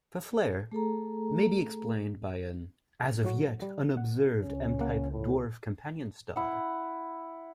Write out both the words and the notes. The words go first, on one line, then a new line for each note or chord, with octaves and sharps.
The flare may be explained by an as yet unobserved M-type dwarf companion star.
A3 G#4 A4 A#5
A2 F#3 F#4
G3
F#5
C#2 C#4
A#3 F#5
A2
E4 F#5